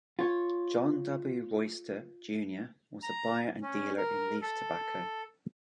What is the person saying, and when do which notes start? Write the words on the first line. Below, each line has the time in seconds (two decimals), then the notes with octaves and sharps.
John W. Royster, Junior was a buyer and dealer in leaf tobacco.
0.19 F4 C#5
3.03 A#5
3.62 C#4
3.97 A#4
4.41 A4